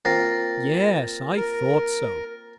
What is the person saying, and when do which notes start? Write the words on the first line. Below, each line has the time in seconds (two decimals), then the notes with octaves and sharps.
Yes, I thought so.
0.05 A#3 C4 F4 A6 A#6
1.37 A#4